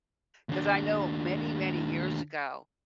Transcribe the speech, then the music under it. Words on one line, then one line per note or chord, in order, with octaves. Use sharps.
'Cause I know many, many years ago,
D#2 D4